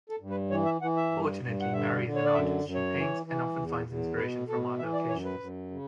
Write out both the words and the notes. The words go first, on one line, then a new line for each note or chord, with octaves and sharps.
Fortunately, Mary's an artist; she paints, and often finds inspiration from our locations.
A4
G2
B4
E3 C#5
E5
E3 F#5
E5
G2
G2
F#5
D3 E5
D3
C#5
D5
F#2 E5
F#2
C#5
E3
E3
E2
E2
B2 B4
B2 A4
E3 E5
D5
F#2 C#5
B4
F#2
C#3